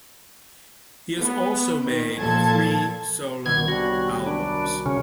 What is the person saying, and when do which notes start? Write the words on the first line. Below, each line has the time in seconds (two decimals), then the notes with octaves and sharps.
He has also made three solo albums.
1.20 B3
1.83 D#3
2.17 A#2 F3 A4 A5 G#6
3.46 C2 F#2 D#3 B3 G#6
3.68 D3 G3 F#4
3.85 G4 C#5 G#5
4.26 F#2 D4 A#4 B5
4.86 C#3 C#4